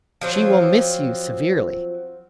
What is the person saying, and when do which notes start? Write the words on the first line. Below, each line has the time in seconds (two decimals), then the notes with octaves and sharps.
"She will miss you severely."
0.21 F3 F#3 C4